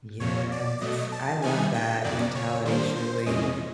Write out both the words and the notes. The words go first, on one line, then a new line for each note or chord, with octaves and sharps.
Yes. I love that mentality, truly.
F2 C3 F3 C#5
D5
B2 F#3 A3 D#5
A5
D#3 G3 B3 D#4 G#5
G5
F2 C#3 F#3 D5
C#5
D#3 G3 A#3 D4 C5
C5
F2 C3 E3 G#3 C#4 D#5